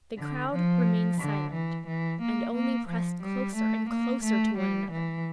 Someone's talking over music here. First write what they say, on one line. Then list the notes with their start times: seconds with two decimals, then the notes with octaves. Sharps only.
The crowd remained silent and only pressed closer and closer to one another.
0.18 D3
0.53 F3
1.21 D3
1.53 E3
1.87 E3
2.21 A#3
2.54 A#3
2.89 F3
3.23 G3
3.56 A3
3.89 A#3
4.24 A3
4.58 G3
4.91 E3